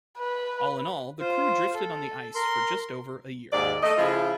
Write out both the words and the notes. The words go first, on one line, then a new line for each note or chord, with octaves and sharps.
All in all the crew drifted on the ice for just over a year.
B4
F4 C5
A4
A#4 C6
D#2 G#2 D5
A3 D#5
C#3 F3 E4 F4